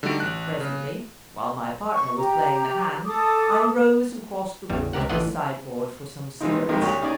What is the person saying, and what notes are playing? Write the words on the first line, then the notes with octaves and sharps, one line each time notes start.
Presently, while my partner was playing the hand, I rose and crossed the room to the sideboard for some cigarettes.
D3 G3 A3 D#4 F#4 D7
A1 F#6
C#3
C#6
G4 A#5
A4 D6 D#6
A1 E2 G3
C#2 C3 G4 A#4 F#5
A1 A2 E3 F4 D#5 F#5
D#3 E3 G3 G#3 C4 D#4
B3
C2 F2 G3 G#3 D#4 A#4
D2 F#4 G4 C#5
C#4 D#4 G#4 D5 G#5